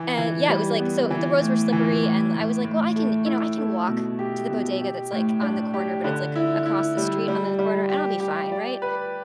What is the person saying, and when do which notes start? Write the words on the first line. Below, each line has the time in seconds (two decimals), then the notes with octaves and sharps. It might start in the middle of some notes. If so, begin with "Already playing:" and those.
and yeah, it was, like so the roads were slippery, and I was, like, "Well, I can, you know I can walk to the bodega, that's, like, on the corner, but it's, like, across the street on the corner, I'll be fine, right?"
Already playing: E3
0.17 E3
0.48 G3
0.79 B3
1.11 E3
1.41 A2
1.73 E3
2.03 A2
2.34 A2
2.64 A2
2.96 A3
3.26 E4
3.58 A3
3.88 B2
4.19 G4
4.50 B2
4.81 G4
5.12 A2
5.42 D4
5.74 G4
6.04 D3
6.35 E4
6.66 E4
6.97 G3
7.28 G3
7.59 G3
7.90 G4
8.20 G4
8.52 D5
8.82 B4